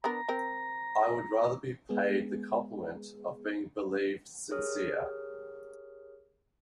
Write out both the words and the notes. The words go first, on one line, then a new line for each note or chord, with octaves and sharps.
I would rather be paid the compliment of being believed sincere.
B3 D4 A#4 A#5
C4 A#4
G#3 B3 G#4
G4 G#4 A#4 C#5 D#6 F6